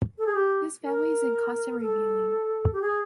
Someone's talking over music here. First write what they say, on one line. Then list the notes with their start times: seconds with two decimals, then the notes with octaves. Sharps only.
This family is in constant reviewing.
0.18 A4
0.26 G#4
0.35 G4
0.84 A#4
1.79 A#4
1.83 A4
2.73 G4
2.82 G#4